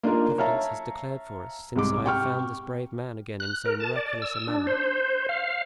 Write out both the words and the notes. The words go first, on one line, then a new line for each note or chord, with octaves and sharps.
Providence has declared for us, since I have found this brave man again in so miraculous a manner.
A#3 D4 D#4 F4 A#4
C#5 E5 F5 A5 A#5
C2 G#2 D6
C3 G5 C#6 F6
F#6
A#4
A5
D5
E6
D4
C5
F5